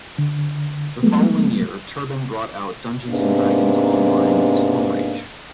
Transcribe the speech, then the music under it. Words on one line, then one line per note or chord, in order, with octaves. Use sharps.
The following year Turbine brought out "Dungeons and Dragons Online: Stormreach".
D3
F#3 G#3 A3 B3
G#2 C3 A#3 B3 D4